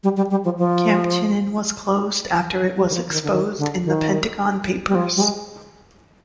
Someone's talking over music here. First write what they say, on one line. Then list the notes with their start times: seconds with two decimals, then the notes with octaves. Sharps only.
Camp Chinen was closed after it was exposed in The Pentagon Papers.
0.03 G3
0.17 G3
0.31 G3
0.45 F3
0.58 F3
2.76 G3
2.90 D#3
2.94 F3
3.09 D3
3.13 D#3
3.23 D3
3.31 D#3
3.58 D3
3.85 D#3
4.88 G3
4.95 F3
5.16 G3
5.21 G#3